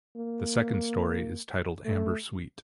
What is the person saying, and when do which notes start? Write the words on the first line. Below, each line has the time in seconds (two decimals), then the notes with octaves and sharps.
The second story is titled Amber Sweet.
0.17 A#3
1.85 A3